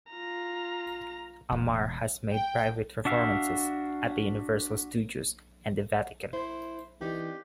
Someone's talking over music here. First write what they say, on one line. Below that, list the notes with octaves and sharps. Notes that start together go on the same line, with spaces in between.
Ammar has made private performances at Universal Studios and the Vatican.
F4 A#5
E1
G5
D4 F#4 E5 F5
E4 C5
E3 C4 D#4 G4 D5